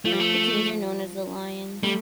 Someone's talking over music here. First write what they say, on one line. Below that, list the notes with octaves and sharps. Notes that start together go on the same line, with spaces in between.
The teams are known as the "Lions".
F3 A3
G3
A3
G3 A3